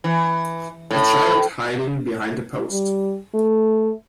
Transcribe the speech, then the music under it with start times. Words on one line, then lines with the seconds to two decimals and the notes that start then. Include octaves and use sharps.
A child hiding behind a post.
0.04 E3
0.91 A2
2.72 G3
3.35 A3